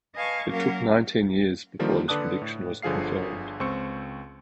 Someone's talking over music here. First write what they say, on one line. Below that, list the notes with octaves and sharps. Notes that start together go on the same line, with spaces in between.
It took nineteen years before this prediction was confirmed.
B4 D#5 F5 G#5 A5 C#6
F#3 A#3 C#4 F#4 A#4 F5
D3 D#3 F3 G3 A#3
D3 B4 D5 A5 D#6 F#6
A2
G1 D3 F3 G#4 F5 C7
C#2 C4 C5 C#6 E6 C#7